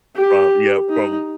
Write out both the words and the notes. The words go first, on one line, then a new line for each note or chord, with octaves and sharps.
from yeah, from
G4
D#4